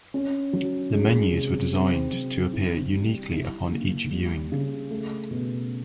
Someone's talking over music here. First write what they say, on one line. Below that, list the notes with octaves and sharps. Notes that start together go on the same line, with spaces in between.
The menus were designed to appear uniquely upon each viewing.
C#4
F#3
G#3
C3
C4
F#3
E4
G3
E4
A#3
G3
C#3
A3
B2